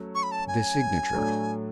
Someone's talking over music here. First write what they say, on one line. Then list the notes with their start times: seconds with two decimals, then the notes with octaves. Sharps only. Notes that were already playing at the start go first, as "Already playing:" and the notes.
The Signature.
Already playing: F#3 A3 C#4
0.15 C#6
0.23 B5
0.32 A5
0.48 G#5
1.15 A2 F#3 A3 D4